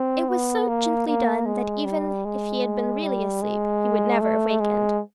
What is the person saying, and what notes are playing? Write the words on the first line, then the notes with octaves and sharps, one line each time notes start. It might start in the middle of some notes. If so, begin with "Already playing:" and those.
It was so gently done that even if he had been really asleep, he would never have wakened.
Already playing: C4
B3
A#3
A#3
G#3
G3
G#3
G3
G#3
A3
G#3